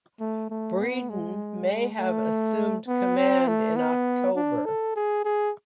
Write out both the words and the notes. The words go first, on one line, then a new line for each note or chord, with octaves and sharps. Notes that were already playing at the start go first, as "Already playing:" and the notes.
Breedon may have assumed command in October.
A3
A3
B3
G#3
A3
B3
C4
A3
B3
D4
A4
G#4
G#4